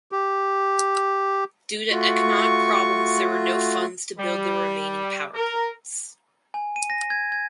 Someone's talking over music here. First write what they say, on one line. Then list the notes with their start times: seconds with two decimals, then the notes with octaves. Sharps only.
Due to economic problems there were no funds to build the remaining power plants.
0.12 G4
1.91 A3 F4 F#4 C#6
4.18 G3
5.35 A#4
6.54 G#5
6.76 D#7
6.90 A#6
7.10 G#6
7.32 G#6